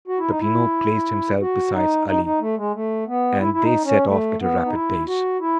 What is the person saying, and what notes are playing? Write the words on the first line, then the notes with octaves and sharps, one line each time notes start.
Peppino placed himself beside Ali, and they set off at a rapid pace.
F#4
E4
D#4
E4
F#4
D#4
D#4
D#4
A3
G#3
A3
B3
E4
E4
D#4
C#4
A3
B3
D#4
E4
F#4
E4